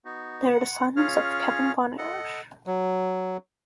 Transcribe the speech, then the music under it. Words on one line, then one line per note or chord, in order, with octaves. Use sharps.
They are the sons of Kevin Von Erich.
B3 D#4 F#4
F#5
C#4 F4 G#4 C#5 F6
A4 D#5 F#5
F#3